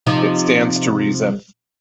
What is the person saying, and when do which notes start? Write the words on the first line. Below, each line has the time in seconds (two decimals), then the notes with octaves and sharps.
It stands to reason.
0.07 C3 F3 D#4